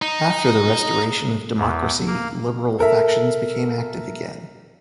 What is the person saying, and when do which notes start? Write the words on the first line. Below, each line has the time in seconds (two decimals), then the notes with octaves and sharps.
After the restoration of democracy liberal factions became active again.
0.02 D#4
1.57 E2
2.07 A#3
2.79 A4 A#4 E5